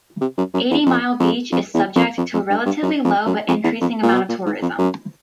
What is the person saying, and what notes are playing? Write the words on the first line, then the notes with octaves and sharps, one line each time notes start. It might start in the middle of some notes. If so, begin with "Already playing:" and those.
Eighty Mile Beach is subject to a relatively low but increasing amount of tourism.
C3
F#2
F#2
E2
F2
F2
F2
E2
F2
F2
F2
G2
G2
F#2
F2
F#2
F2
E2
F2
A#2
B2
A#2
G#2
F2
F#2